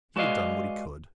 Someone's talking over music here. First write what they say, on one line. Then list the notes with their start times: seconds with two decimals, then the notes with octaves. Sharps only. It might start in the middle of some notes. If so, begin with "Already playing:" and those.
He had done what He could.
0.16 G#3 F#4 B4 D5 D#5 F5